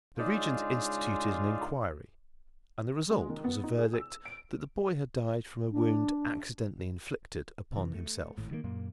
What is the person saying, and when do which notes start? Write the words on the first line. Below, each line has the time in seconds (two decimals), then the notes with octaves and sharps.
The Regent instituted an inquiry, and the result was a verdict that the boy had died from a wound accidentally inflicted upon himself.
0.17 C#3 G#3 D4 D#4 F4
3.10 G#3
3.29 D#3
3.44 B3
3.64 D#4
3.78 G#4
3.94 E6
4.25 D7
5.72 D4
7.72 C3 E3
7.94 A3
8.38 G#1 A2
8.51 D#3 F#3 A#3
8.64 F#2 A#2 A#3